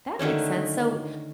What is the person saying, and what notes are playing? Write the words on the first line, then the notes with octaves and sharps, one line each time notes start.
That makes sense, so
D3 D#3 A3 C#4